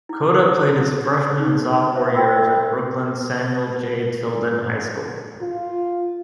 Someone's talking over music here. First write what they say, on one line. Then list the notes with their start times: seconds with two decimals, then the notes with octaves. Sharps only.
Cota played his freshman and sophomore years at Brooklyn's Samuel J. Tilden High School.
0.09 E4 D6
1.39 D#4 G#4
1.93 F#4 B4 C5 E5
2.15 F#4 G5 B5 C6 E6
5.41 F4